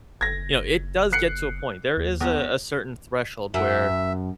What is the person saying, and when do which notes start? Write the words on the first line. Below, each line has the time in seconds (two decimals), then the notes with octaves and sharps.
you know, it does get to a point, there is a certain threshold where
0.21 F#1 G#6 A#6
1.12 F#6 C7 C#7
1.97 D#2
2.21 E2
3.54 F#2 E5